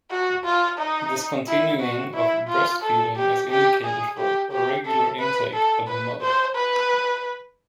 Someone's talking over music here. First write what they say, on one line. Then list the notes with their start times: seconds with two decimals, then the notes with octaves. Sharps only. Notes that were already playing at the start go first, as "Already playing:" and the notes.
Discontinuing of breast-feeding is indicated for regular intake by the mother.
0.11 F#4
0.45 F4
0.79 D#4
1.47 E4
1.80 F#4
2.14 E4
2.48 F4
2.82 A4
3.17 G4
3.50 G4
3.84 G#4
4.18 G4
4.52 G4
4.86 A4
5.20 B4
5.54 A4
5.88 B4
6.21 C5
6.55 B4